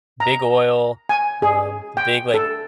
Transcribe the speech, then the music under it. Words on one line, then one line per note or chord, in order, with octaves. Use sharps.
big oil, um, the big, like,
A#5
G#5
G#4
G5
A4